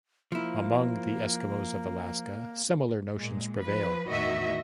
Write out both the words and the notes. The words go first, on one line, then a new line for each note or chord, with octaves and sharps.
Among the Eskimos of Alaska, similar notions prevail.
F3 A#3 E4
A#2 G#3
F3 B4
E2 A2 D#3 F#4 D#5 E5